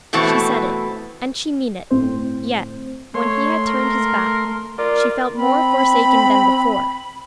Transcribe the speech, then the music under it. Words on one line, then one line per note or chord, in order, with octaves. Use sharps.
She said it, and she mean it; yet, when he had turned his back, she felt more forsaken than before.
B2 E3 A3 C4
G1 A2 C4 C5
A3 C#5 C6
A#4
F4 A#4 D5
C4 B5